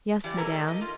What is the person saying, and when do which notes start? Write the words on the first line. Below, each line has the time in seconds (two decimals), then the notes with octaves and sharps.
"Yes, Madame."
0.24 E3 G4 D5
0.37 B2 E3 A4 A#4 A#5
0.52 A3
0.68 D#5
0.81 F4